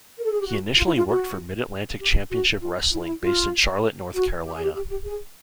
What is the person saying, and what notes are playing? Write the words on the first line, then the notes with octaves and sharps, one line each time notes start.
He initially worked for Mid Atlantic Championship Wrestling based in Charlotte, North Carolina.
A#4
A4
G#4
G4
F#4
F4
E4
F4
F#4
G4
F#4
F4
E4
F4
E4
F4
F#4
G4
G#4
G4
G4
G4
G#4